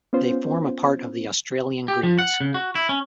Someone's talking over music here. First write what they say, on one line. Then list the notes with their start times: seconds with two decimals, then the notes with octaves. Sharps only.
They form a part of the Australian Greens.
0.13 B3 C#4 F4 C5
1.88 G4
2.03 F3
2.19 F#5
2.41 C#3
2.54 F#4
2.75 E4
2.89 C#4